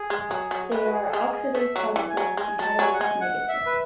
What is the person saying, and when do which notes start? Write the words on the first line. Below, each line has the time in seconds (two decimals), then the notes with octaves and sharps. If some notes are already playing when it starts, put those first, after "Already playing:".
They are oxidase positive and catalase negative.
Already playing: G#4
0.10 G#3
0.31 F#3
0.51 F#3
0.72 G#3 B4
0.85 F#4
0.92 G#4
1.08 A4
1.13 G#3 G#4
1.34 G#4
1.54 A3 E5
1.76 F#3
1.96 E3
2.10 G#5
2.17 F#3
2.37 G#3 G#5
2.59 F#3 A5
2.79 F#3 G#5
2.93 F#5
2.99 G#3 G#5
3.21 F#5
3.49 E5
3.66 B4